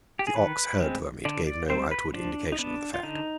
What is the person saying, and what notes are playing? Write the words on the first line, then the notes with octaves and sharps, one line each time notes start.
If the ox heard them it gave no outward indication of the fact.
G4
G#4
D#3 B4
G#3 C4
D3 D5
D5
G3 C4 C5
B4
F3 D4
D#4
B3 D4
F4
D3 D#4